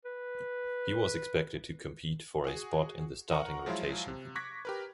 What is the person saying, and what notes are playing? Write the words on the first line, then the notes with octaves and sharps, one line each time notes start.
He was expected to compete for a spot in the starting rotation.
B4
F#4 G#4
A#4 F#5 A#5 C#6
F3 F#3 G#3 E4 F4
C3
C#6 D6 F#6 G#6 A#6 B6
G4 A#4 B4